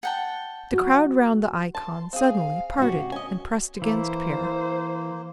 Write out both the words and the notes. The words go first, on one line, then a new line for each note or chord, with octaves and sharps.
The crowd round the icon suddenly parted and pressed against Pierre.
F#5 G5 A5
F#4
A5 C6
C4 G#4 F5
C3 C#4 F#4
C#4 D#5 G#5
E3 A#3 C5